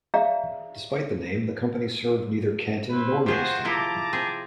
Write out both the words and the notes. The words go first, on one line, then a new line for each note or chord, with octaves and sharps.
Despite the name, the company served neither Canton nor Youngstown.
G#4 D5 E5 F5 A#5
E4 B4 C5
C3 F4 F#4 G#4 C5
F3 E4 F4 A5 A#5 D6
C4 G#4